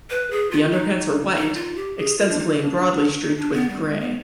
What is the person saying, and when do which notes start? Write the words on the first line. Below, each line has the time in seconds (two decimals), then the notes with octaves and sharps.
The underparts are white, extensively and broadly streaked with grey.
0.10 B4
0.31 G#4
0.51 F4
0.72 D#4
1.35 D#4
1.55 F4
1.76 G4
1.98 G#4
2.18 F4
2.29 D4
2.38 D#4
2.60 D4
3.22 D#4
3.37 D4
3.53 B3
3.69 G3
3.85 G#3
4.00 B3